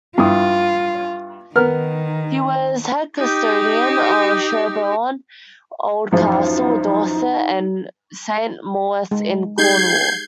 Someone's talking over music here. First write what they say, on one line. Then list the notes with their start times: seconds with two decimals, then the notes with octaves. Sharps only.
He was Head Custodian of Sherborne Old Castle, Dorset and Saint Mawes in Cornwall.
0.18 G2 E4 F4 D#6
1.56 D#3 B3 A#4 F6
3.18 D#4 G4
6.12 A1 F#2 F3 D#4
9.11 G#3
9.58 D#4 G4 G#4 G6 G#6 C7